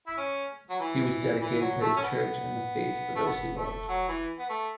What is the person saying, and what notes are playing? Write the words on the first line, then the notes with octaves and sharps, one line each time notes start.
He was dedicated to his Church and the faith for those he loved.
E4
C#4
F#3
E3
E3
F#3
A3
C#4
B3
A3
B3
A3
F#3
E3
B3
A3